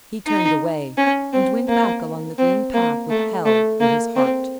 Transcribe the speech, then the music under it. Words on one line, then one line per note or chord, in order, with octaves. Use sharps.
He turned away, and went back along the green path with hell in his heart.
D#4
C#4
C4
A#3
C4
A#3
A3
A3
A#3
C4